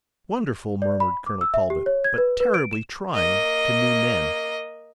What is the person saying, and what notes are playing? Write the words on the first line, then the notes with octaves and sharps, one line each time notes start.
Wonderful!" murmured Colonel Talbot, "but terribly trying to new men!
D5
B5
D6
E6
E5
G4
C#5
G#6
B4
B4
D7
E7
A#3 D#5